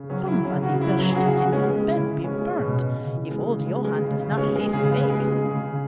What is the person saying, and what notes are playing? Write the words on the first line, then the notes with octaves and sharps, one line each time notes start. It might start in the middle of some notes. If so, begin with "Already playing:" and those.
"Somebody vill shust in his bed be burnt, if old Johann does not haste make!"
Already playing: C#3
F#3 C#4
F#3 E4
C#3 C#4
C#3 F#4
F#3 E4
F#3 E4
G#4
C#3 F#4
G#4
C#3 F#4
G#3 C#4
G#3
C#3 E4
C#3
G#3 C#4
G#3
B2
B2
C#3
E3
G#3
C#3
G#3
G#3
C#3
C#3
G#3 C#5
G#3 G#4
C#3 G#4
C#3 B4
G#3 G#4
G#3
C#3
C#3